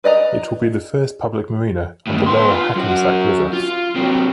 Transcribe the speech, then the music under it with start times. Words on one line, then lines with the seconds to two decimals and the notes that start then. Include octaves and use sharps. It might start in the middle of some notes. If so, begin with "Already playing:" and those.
It will be the first public marina on the lower Hackensack River.
0.04 B4 D5 D#5 A#5
2.07 D#2 A2
2.26 B3 C6
2.52 F4
2.76 F#2 F#4
3.53 F4
3.96 C3 F#3